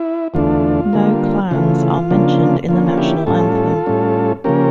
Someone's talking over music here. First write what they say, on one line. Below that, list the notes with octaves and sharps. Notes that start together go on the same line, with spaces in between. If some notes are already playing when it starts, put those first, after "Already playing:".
No clans are mentioned in the national anthem.
Already playing: E4
E2 D3 A3 D4 F4
D3 G3 A#3
C#3 E3 A3 F4
C#3 F3 A#3 D4
D3 F3 A#3 C#4 F4
F4
E4 G4
A2 G3 C#4 F4 A4
A2 G3 C#4
C#3 F3 A#3 C#4 G4 A#4